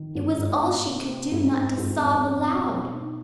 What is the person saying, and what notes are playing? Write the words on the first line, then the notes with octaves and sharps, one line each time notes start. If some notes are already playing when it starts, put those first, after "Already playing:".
It was all she could do not to sob aloud.
Already playing: D#3
G#2
G#2
B3
C3
C4
G#2
C4
G#2
F2
F2
B2
B2
D#4